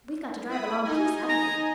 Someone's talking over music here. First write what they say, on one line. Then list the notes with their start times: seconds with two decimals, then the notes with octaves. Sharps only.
We've got to drive a long piece, haven't we?
0.49 E4 B5 D#6
0.85 D#4 D#5 G#5
1.29 A#5